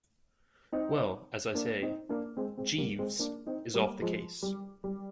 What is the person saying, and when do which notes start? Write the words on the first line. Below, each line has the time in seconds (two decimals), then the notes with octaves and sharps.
Well, as I say, Jeeves is off the case.
0.72 C4 D#4
1.55 A#3 D4
1.82 C4 D#4
2.09 A#3 D4
2.37 G#3 C4
2.58 G#3 C4
2.78 G3 A#3
2.99 G#3 C4
3.19 A#3 D4
3.47 C4 D#4
3.74 G3 A#3
4.02 F3 G#3
4.43 G3
4.84 G3